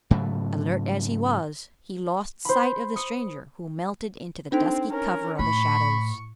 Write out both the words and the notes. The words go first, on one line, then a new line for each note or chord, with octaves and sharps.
Alert as he was, he lost sight of the stranger who melted into the dusky cover of the shadows.
G#2 C#3 F#3 A3
C5 B5
D#6 C#7
C4 D4 D#4 A4
C#4 A#4
A2 B5 C#6